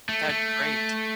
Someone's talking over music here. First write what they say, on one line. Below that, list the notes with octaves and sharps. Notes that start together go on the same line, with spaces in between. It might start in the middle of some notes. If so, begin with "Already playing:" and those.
That'd be great.
A3
A3